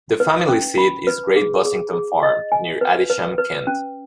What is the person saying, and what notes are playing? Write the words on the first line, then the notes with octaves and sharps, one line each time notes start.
The family seat is Great Bossington Farm, near Adisham, Kent.
B4
C#4
B5
B4
G#4
G#4
G#4
D#5
G#5
B4
B4
B4
C#4